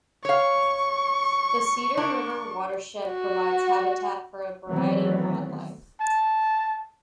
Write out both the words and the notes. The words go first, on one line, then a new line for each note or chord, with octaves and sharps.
The Cedar River Watershed provides habitat for a variety of wildlife.
C#5 F5 C#6
D4 A#4
F#4
D#3 E3 F#3 A3 B3 C4
A5